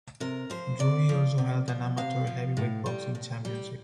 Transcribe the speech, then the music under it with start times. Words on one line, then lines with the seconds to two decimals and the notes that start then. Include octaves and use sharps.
Drury also held an amateur heavyweight boxing championship.
0.20 C3 A#4
0.50 F3 C5
0.79 C3 D5
1.09 F3
1.38 C3
1.68 F3
1.97 C3 F5
2.27 F3
2.57 A2
2.86 G3
3.15 A2
3.45 G3